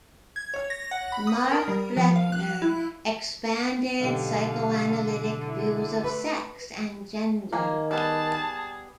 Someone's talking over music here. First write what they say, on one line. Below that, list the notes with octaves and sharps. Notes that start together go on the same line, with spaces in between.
Mark Blechner expanded psychoanalytic views of sex and gender.
G#6
C#5
A#6
F#5
B5
D#6
A#4
G3
F3
F5
F#6
E4
B1 G#2 D3 G4 F5
E4
A3 B4
D#3 A#3 G#4
G3 B3 G#4 A5